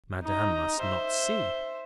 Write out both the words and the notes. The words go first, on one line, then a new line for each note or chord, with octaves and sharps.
Madame must not see.
D#4 A#5
C5 E5